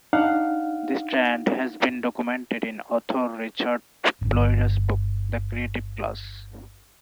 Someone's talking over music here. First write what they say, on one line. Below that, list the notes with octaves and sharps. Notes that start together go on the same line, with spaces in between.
This trend has been documented in author Richard Florida's book, The Creative Class.
D4 D#4 F5 F#5
D1 G1